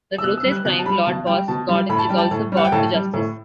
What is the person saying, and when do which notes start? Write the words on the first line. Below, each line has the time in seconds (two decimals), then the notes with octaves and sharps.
The ruthless crime lord Boss Gordon is also brought to justice.
0.18 E6
0.24 B2 F#6
0.37 E6
0.44 G3
0.52 F#6
0.65 B2 F#6
0.79 A5
0.85 G3 B5
1.06 B2 A5
1.27 G3 G5
1.48 B2 A5
1.69 G3
1.89 A2 B5
1.99 A5
2.09 G3 G5
2.18 A5
2.31 A2
2.52 G3
2.57 F#5
2.64 G5
2.72 A2 A5
2.93 G3
3.14 A2